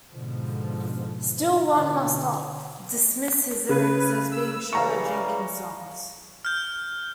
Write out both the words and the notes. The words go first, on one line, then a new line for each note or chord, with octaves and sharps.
Still, one must not dismiss his lyrics as being shallow drinking songs.
G#2 B2 D3 F3
B2 D3 C#4
C#3 B4
E6
C#3 E3 G3 F5 A#5 C#6
F6 G6